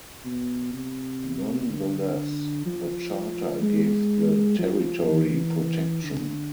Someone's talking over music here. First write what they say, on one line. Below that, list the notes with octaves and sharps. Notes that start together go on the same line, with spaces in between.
Nonetheless, the charter gave the territory protection.
B2
C3
D3
F3
G#3
F3
E3
D3